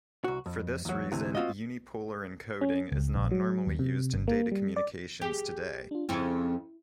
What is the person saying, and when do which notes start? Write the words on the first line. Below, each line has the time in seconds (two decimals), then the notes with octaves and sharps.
For this reason, unipolar encoding is not normally used in data communications today.
0.24 C2 F#4
0.46 F2
0.85 E2 F#3
1.12 D2 C3 E3
1.35 C4 C#4 F4 F#4 D#5
2.61 C#4
2.92 C#2
3.16 A#1
3.31 F#3
3.67 D#2
3.79 C3
4.14 G1
4.28 A#3
4.52 G3
4.76 D5
5.21 G4 G#4 G6
5.91 D4 F4
6.09 F2 C#3 C4 E4